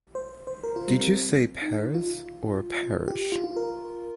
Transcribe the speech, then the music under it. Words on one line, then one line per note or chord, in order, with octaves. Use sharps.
Did you say Paris or Parish?
C5
C5
A#4
F4
G3
C4
D#4
F4
G4
F4
F4
A#4